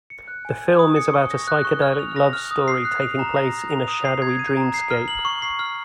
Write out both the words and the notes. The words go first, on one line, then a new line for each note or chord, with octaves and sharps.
The film is about a psychedelic love story taking place in a "shadowy dreamscape".
C#7
F#6
G#5
G#6
D#6
C#7
C#6
A#6
F#6
C#6
F6
F7
A#6
F6
D#6
C7
F#6
F7
A#5
A#6
D#6
F7
D#6
C7
G#6
D#7
A#5
C7
F6
F#7
C#6
C7
F6